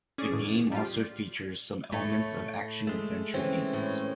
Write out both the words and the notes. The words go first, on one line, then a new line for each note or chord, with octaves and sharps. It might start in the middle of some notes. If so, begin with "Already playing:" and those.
The game also features some elements of action-adventure games.
C#4 G#4 D5
E2 A2
G3 F4
A2 A3 C#5
G#3 A3
E3 C4 C#4
A2